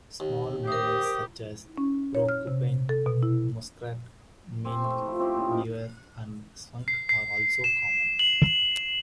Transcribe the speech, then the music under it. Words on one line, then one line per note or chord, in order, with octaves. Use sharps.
Small mammals such as the porcupine, muskrat, mink, beaver and skunk are also common.
D#2
G4 A#4 C5 D#6
C#4
C#5
F6
C3
A4
B2
E4
C4 G4 G#5
A3
F3 E4
C4 C#4 E4 G4
A#2 C#3
D#4 A#4
C7
C7
E7
F#7